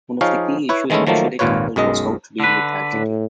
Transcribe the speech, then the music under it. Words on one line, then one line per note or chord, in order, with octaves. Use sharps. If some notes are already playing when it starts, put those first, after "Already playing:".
One of the key issues initially tackled was how to deal with altitude.
F3 D#4 G#4 C#5 F5
E4 B4 C#5
D#3 E3 G#3 A3 C#4 E4
D#3 F3 F#3 A3 A#3
G#1 D#2 A#2 F4 B4 C#5
B1 F#2 G#3 D#5
D3 B4
A2